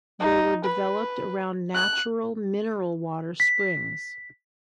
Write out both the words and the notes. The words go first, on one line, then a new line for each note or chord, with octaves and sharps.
They were developed around natural mineral water springs.
D#4
B4
F#6
B6